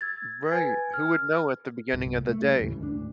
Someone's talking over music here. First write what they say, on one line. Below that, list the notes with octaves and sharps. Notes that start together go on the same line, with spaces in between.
Right. Who would know at the beginning of the day?
E6 G#6 A6
B4 G#5 G#6 A6
F6
C2 G2 A#2
A3
C#3 G3
D#2 G#2 C#3 E3
D2 G#2 G#3 D4